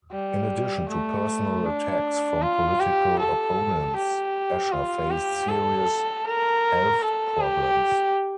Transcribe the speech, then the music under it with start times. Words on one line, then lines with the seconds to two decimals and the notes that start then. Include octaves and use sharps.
In addition to personal attacks from political opponents, Escher faced serious health problems.
0.12 G3
0.89 A3
1.65 D4
2.42 F4
2.80 G4
3.19 A4
3.96 G4
4.72 F4
5.10 G4
5.49 A4
6.25 A#4
7.02 A4
7.40 G4